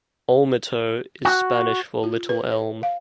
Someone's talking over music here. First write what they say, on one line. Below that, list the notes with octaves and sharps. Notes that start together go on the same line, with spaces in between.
"Olmito" is Spanish for "little elm".
F#4
F4
B4
C#5
F5